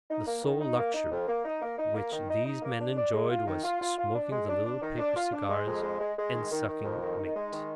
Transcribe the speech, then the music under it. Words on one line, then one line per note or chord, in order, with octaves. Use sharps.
The sole luxury which these men enjoyed was smoking the little paper cigars, and sucking mate.
D#4
A#3
D#3
D#4
A#3
D#4
F2
A#3
D#4
A#3
D#4
A#3
D#3
D#4
D#4
A#3
D4
D4
G#3
F4
D#3
F4
F4
F4
D4
G#3
D4
D4
D#3
D4
F4
D4
G#3
F2
G#3
G#3
G#3
D#3
D#3
D#3
F2
D#3
D#4
G#3
D#3